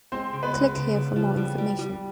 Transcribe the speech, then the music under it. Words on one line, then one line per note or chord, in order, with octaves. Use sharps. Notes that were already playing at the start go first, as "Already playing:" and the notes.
Click here for more information.
G#3 C4 C5
C#3
B3 B4
G#3
C#3
C#3
F3
G3
G3
G3